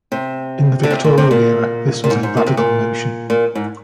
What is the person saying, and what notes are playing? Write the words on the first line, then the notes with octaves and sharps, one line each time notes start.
In the Victorian era, this was a radical notion.
C3
D3
C3
A#2
C3
A#2
A#2
G#2
G#2
A#2
C3
A#2
A#2
G#2